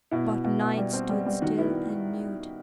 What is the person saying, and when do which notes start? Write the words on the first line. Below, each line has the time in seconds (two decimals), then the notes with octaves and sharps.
But Night stood still and mute.
0.11 B2 E4
0.28 B2
0.44 B2
0.60 B2
0.77 G3
0.93 C4
1.09 G3
1.26 G3
1.42 D#3 F#4
1.58 B3 E4